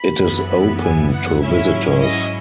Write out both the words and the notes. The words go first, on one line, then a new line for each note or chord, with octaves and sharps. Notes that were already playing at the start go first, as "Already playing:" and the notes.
It is open to visitors.
Already playing: B5
F#2 E3 B3 E4
G#5
F#5
G#2 F#3 C#4 E4 E5
D#5